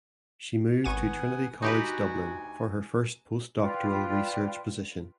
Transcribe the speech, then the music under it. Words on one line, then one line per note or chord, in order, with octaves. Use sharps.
She moved to Trinity College Dublin for her first postdoctoral research position.
G#1 B3 F#5 G#5 C#6 D#7
D2 D#4 F#4 G4 B4 G#5
F4 B4 D5 G5